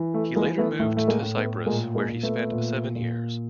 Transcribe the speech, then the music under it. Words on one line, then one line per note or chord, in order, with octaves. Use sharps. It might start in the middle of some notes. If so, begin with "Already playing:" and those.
He later moved to Cyprus where he spent seven years.
Already playing: E3
A3
E3 G#3 A#3
A3 B3
A2 A3
A3
G#3 A#3
A2
A3 B3
A#2 G#3 A#3
G#3 A#3
A#2
A3 B3
A#2
A#2